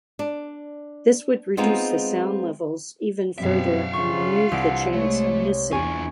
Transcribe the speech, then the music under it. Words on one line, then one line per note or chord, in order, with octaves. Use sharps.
This would reduce the sound levels even further and remove the chance of missing.
D4
G#3 B3 C4 D#4 F4 G#4
F#2 B2 G3 C4 E5 F5
G2 C#3 F4 C#6
C2 E3 D4 F#5 D7
G#3 A3 C#5
E2 D4 F4 G#5 C#6